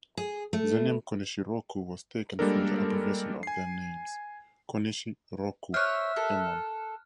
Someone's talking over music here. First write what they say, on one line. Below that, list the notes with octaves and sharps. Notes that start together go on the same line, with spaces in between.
The name Konishiroku was taken from the abbreviation of their names, "Konishi Roku"emon.
G#4
A3
G3 G#3 A#3 D4 A4 A#4
G#5 C7
C5 C#5 E5 F6 F#6
A4 A#4